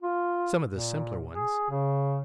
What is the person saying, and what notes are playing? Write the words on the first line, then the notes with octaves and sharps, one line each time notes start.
"Some of the simpler ones."
F4
A#2
G#4
C#3